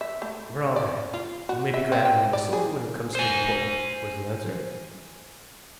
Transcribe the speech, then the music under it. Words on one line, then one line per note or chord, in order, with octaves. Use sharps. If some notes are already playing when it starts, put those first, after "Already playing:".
"For all that, you may be glad of my muscle when it comes to the point," was the answer.
E5
A3
D5
F4
F#4
E5
C4
G5
D5
G#4
C5 G#5